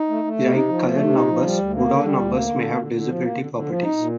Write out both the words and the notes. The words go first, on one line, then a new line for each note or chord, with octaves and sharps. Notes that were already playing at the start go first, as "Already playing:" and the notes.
Like Cullen numbers, Woodall numbers have many divisibility properties.
Already playing: D#4
A3
A3
C3
D#4
F3
A3
C3
D#4
F3
G3
D2
A#3
D3
G3
D2
A#3
D3
A#3
D3
D3
F3
A#3
D3
D3
F3
D#4
A#2